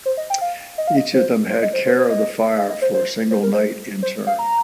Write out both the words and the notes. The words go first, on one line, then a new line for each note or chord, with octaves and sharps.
Each of them had care of the fire for a single night in turn.
C5
D#5
G5
F5
D#5
F5
D#5
C5
C5
D#5
C5
C5
C5
D#5
F5
D#5
C5
C5
C5
A#4
C5
C5
F5
A#5